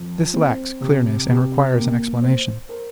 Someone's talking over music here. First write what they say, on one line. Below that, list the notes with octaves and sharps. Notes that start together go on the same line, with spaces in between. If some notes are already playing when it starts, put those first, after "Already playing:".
This lacks clearness, and requires an explanation.
Already playing: F2
C4
C3
C3
A#3
C5
A#4